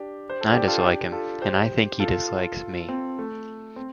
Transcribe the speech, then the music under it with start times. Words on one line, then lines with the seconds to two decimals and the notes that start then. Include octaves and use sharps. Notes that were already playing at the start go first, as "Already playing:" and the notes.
I dislike him and I think he dislikes me.
Already playing: D4 G4
0.29 C5
0.41 A4
0.53 D4 G4
0.68 F4 A4
0.82 D4 G4
1.12 F4 A4
1.42 G4 C5
2.00 F4 A4
2.89 C4
3.19 A3
3.76 C4